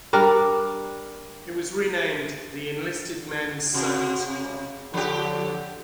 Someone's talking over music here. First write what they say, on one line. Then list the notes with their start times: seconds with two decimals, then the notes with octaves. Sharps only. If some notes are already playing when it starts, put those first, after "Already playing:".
It was renamed "The Enlisted Men's Service Club".
0.13 G3 D4 A#4
3.17 D3
3.74 C3 F#4
4.26 C#3
4.94 D3 F3 G4